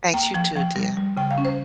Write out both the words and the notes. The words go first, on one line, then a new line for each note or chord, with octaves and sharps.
Thanks, you too, dear.
A#3 G5
F3 G5
F3 G5
G3
G3
C#3 G5
F5
C#4
C5